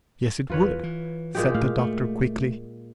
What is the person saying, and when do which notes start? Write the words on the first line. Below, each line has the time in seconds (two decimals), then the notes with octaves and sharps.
"Yes, it would," said the Doctor quickly.
0.50 E2 F4 B4 C#5
0.83 E3
1.35 A#2 G#3 G4
1.54 A2 F5
1.78 A3